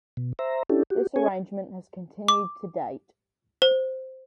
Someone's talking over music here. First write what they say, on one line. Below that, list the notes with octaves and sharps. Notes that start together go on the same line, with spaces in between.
This arrangement has continued to date.
B2
C5 E5 A#5
C#4 D4 E4 G4 A4
F#4 G4
C#4 G#4 C#5 G#5
D6
C5